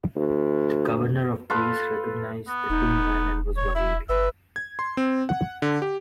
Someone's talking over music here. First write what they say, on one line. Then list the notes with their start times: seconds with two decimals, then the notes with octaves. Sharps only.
The Governor of Greece recognised the two men and was worried.
0.16 D2
1.50 F4 A4 B4
2.48 B3
2.70 E1 D#4
3.57 C#5
3.75 E4 E5
4.09 G1 B4 E5
4.56 G#6
4.79 C6
4.97 C4
5.29 F#5
5.62 D3
5.82 G4